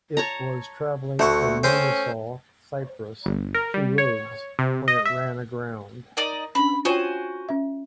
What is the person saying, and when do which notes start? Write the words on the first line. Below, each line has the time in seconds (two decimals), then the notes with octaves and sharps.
It was traveling from Limassol, Cyprus to Rhodes when it ran aground.
0.17 C#5 A5 A#5
1.19 D2 A3 F#5 C#6
1.64 C4 C#4 C5 D#6
3.26 G1
3.54 A#4
3.74 G3
3.98 C#5
4.59 C3
4.88 D#5
5.05 E5
6.17 D#4 A#4 D5 D#5
6.55 C#4 D4 B5
6.85 F4 F#4 C5 C#5 G5 G#5
7.49 C#4 E5